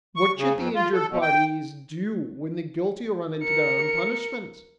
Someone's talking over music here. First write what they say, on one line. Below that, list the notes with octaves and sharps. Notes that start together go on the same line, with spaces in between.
What should the injured parties do when the guilty run into their own punishment?
C#6
C#3
F2
F4
A4
B2
G5
A#4 C#7